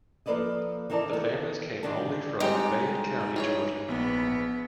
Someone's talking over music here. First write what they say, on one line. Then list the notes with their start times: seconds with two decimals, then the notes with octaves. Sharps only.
The families came wholly from Fayette County, Georgia.
0.26 F3 A#3 A4 B4 D5 D#5
0.90 E3 C4 D#4 A#4 D5 A5
1.13 D#3 B3 A4
1.83 D#3 G3 C4 D4 A5
2.40 G#2 G3 C4 D#4 G4 D#5 D7
3.36 E3 G#4 C#5
3.88 A#1 B3